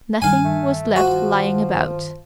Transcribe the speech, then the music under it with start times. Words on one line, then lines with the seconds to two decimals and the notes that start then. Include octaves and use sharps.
Nothing was left lying about.
0.22 G2 D#3 F5 G#5
0.44 A3
0.96 F3 F#4